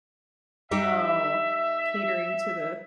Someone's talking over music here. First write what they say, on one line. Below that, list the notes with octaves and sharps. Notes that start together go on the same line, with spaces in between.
Oh, catering to the
G3 D#4 G4 E5